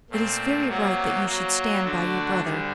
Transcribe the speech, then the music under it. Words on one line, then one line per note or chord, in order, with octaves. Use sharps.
"It is very right that you should stand by your brother."
A#2 A3 C4
C3 F#3 A#3 F#4
F#3 A#3 F#4
D3 A3 D4 F#4
D2 D3 G3